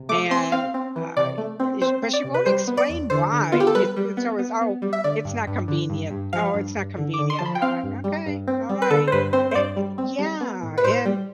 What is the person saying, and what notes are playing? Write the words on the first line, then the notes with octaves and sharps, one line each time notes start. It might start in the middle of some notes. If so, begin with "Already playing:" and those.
and, I I sh but, she won't explain why, it's it's always, "Oh, it's not convenient, oh, it's not convenient," and I'm like, "Okay, alright." Eh yeah, and
Already playing: C3
A3 D6
C4 C6
C4 F5
C4
E3
C3 D5
A3
C4
C4 C5
C4
D5
C3
B4
G3 C5
B3
D5
E2
D3 C5
D3
B3 F4
G4
A4
G3 B4
G3
B3
B3
B3
G3
E5
D3 D5
G2
G2
D3
G2
G2
F3 F5
G2
G2
D3
D6
D3
C6
F3 A5
B5
G5
C4 F5
G2
G3
G2
C4
G3
B4
D3 A4
C5
G2 B4
C4 C5
C5
G2 D5
G3
C4
G3
B3
A2
B4
A2 C5
G3